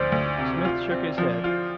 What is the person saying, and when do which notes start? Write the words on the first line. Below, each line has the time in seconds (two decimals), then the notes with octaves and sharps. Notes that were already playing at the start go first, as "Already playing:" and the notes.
Smith shook his head.
Already playing: D2 F3 C5 D5
0.12 D2
0.38 C3
0.65 F4
0.91 C4
1.18 F3
1.44 F4